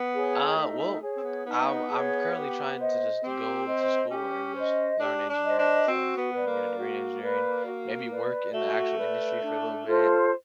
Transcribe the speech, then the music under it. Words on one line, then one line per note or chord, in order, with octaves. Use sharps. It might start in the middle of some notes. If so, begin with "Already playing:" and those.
Uh, well, I'm I'm currently trying to just go to school and just learn engineering and stuff and get a degree in engineering, maybe work in the actual industry for a little bit,
Already playing: B3
G#4 C#5
A3 D#4
A3
G#4 C#5
C4
B3
B3 D#4
G#4 C#5
G4
C5 D#5
C4 G4
C5 D#5
C#4 G4
C5 D#5
D4 G4
D4
C5 D#5
D4
C4 F#4
B3
B4 D5
A#3
F#4
B4 D5
F#4
B4 D5
A3 F#4
B4 D5
D4
F4 A4 C5